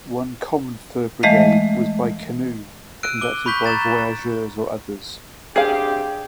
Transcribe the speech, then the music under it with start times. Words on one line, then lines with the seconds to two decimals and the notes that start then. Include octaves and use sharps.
One common fur brigade was by canoe, conducted by voyageurs or others.
1.23 E3 G#3 A3 D#5 F5
3.03 E6 F#6 D7 D#7
3.21 D6 G7
3.46 B5 C#6 G6 B6 G7
3.63 A#5 B5 A6 E7
5.56 C4 D4 G4 G#4 F5